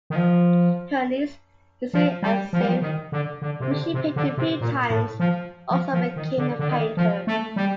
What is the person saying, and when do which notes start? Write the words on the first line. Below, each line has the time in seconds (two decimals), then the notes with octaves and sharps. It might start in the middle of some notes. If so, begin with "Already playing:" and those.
Her niece Lizzy Ansingh, who she painted a few times, also became a painter.
0.10 D#3
0.16 F3
1.94 F3
2.22 G3
2.53 F3
2.61 G3
2.67 F3
2.82 D#3
3.12 D3
3.42 D3
3.60 C3
3.71 D3
3.94 C3
4.16 D3
4.38 C3
4.61 A#2
4.90 A2
5.20 F3
5.71 F3
5.93 F3
6.16 D#3
6.38 D3
6.59 D3
6.68 D#3
6.97 F3
7.27 A3
7.56 G3